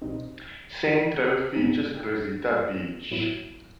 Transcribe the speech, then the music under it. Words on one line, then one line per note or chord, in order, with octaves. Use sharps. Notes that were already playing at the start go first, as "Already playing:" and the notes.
Centro features Rosita Beach.
B1 B2 G3 C4 D#4
G2 D#3 G#3 B3 D#4
A2 F#3 B3 E4